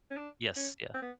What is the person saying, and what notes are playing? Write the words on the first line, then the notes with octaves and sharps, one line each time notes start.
Yes, yeah.
C#4
D4
C#4
C4
B3